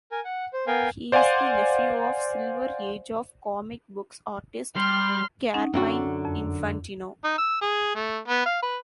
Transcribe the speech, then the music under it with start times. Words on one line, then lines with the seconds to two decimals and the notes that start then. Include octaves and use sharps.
He is the nephew of Silver Age of Comic Books artist Carmine Infantino.
0.12 A#4 G#5
0.25 F#5
0.53 C5
0.67 B3 A#4 F5 G5 G#5
1.12 C5 D5 F5 F#5 G#5 C6
4.76 G3 C6 F6
5.54 C#4 D#4 F#5
5.74 F#2 D3 F#4 A4 G5
6.25 F2
7.24 D#4
7.38 E6
7.62 G#4
7.95 A3
8.28 B3
8.46 F5
8.62 B4